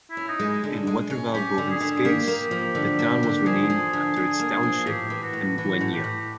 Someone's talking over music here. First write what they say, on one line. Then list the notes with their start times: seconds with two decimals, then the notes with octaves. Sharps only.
In Waterval Boven's case, the town was renamed after its township, Emgwenya.
0.11 E4
0.17 C#4
0.29 D#4
0.39 G#3
0.64 D3
0.87 G#3
1.10 C#4
1.34 C#4 G4
1.58 D3
1.70 G#4
1.81 D3
2.04 A#3 G4
2.28 A#3
2.51 F3
2.75 D3
2.99 A#3
3.23 D3
3.46 F3 G#4
3.70 F3
3.93 D3
4.16 D3
4.40 A#3
4.63 F3
4.87 A2 G4
5.10 E3
5.22 F#4
5.33 A2
5.58 E3 F#4
5.81 A2
5.93 G4
6.04 A2